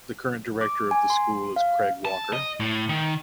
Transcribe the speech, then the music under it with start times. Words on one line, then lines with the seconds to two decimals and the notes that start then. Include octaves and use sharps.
The current director of the School is Craig Walker.
0.61 D6
0.91 G#5
1.10 C6
1.56 F5
2.05 A5
2.33 D#5
2.60 A2
2.89 D#3